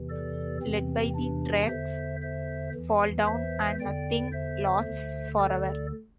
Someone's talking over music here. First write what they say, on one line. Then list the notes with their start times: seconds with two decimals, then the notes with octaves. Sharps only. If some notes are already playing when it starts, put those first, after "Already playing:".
Led by the tracks 'Fall Down' and 'Nothing Lasts Forever'.
Already playing: E2 C3 E3
0.09 A4 D5
0.62 E2 C3 E3 C4
1.15 D4
1.68 E2 D3 C5 E5
2.22 C5 E5
2.74 E2 E3
3.27 C5 E5
3.80 E2 D3 D5 G5
4.32 C5 E5
4.85 D2 D3
5.39 A4 D5